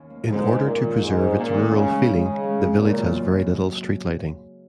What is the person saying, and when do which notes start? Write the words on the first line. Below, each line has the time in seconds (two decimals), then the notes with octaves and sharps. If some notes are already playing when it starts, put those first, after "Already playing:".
In order to preserve its rural feeling the village has very little street lighting.
Already playing: D#2 C#4
0.10 A#3
0.27 G#2 G#3
0.46 G#3
0.64 A#2 C#4
0.82 D#3
0.99 G#2 C#4
1.17 G#4
1.35 A#2 C#4
1.54 D#3
1.71 C#3 G#3
1.89 G#3
2.07 C#3 G#3
2.25 D#5
2.44 G#3
2.61 G#3
2.79 A#2 C#3
2.97 F#2
3.15 A#3